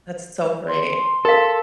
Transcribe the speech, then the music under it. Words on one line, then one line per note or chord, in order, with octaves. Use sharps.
That's so great.
C6
A4 A#4 F5